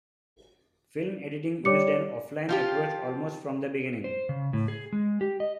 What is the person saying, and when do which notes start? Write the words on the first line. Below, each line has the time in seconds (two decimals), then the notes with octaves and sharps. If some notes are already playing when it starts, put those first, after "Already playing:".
Film editing used an offline approach almost from the beginning.
1.65 G3 C#5 D6 C#7
2.49 F3 F4 G4
4.04 C5
4.29 C#3
4.53 A2
4.68 G#4
4.93 G#3
5.21 G4
5.40 D#5